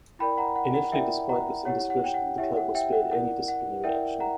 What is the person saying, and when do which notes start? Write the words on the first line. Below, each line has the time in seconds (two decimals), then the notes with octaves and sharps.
Initially despite this indiscretion, the club was spared any disciplinary action.
0.19 E4 A#4 D5 G5 B5
0.38 F#5 A#5
0.56 F#5
0.74 F#5
0.92 E4 A#4 D5 E5 G5
1.29 F#5 A#5
1.65 E4 G4 C#5 F#5
1.90 F#5
2.04 G5
2.14 F#5
2.38 E4 G4 C#5 E5
2.57 F#5
2.75 E5 G5
2.93 F#5
3.11 E4 A#4 D5 F#5
3.48 F#5
3.84 E4 A#4 D5 E5 G5
4.20 F#5 A#5